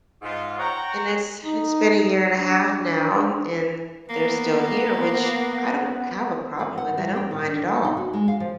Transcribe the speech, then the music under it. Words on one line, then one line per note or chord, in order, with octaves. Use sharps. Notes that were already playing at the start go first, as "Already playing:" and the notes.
And it's it's been a year and a half now, and they're still here, which I don't have a problem with, I don't mind at all.
G#2 F4
C#5 F#5 G5 A#5
D#4
D4
A#3 B3
B4
F#5
G3
G5
A#2
D4
D#4
F#4
G#3
F5
F3